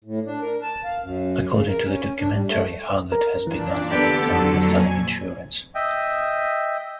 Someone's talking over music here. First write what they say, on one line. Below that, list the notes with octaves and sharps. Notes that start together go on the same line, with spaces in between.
According to the documentary, Haggard has begun a new career selling insurance.
A2
D4
A#4
A5
F5
F#2
C#3
A#4
C#4
D4
G3
A3
A#4
A#2 E3 D4
D3 B3 G4 A4
F2 F#3
A#2 G#5
D#5 E5 G5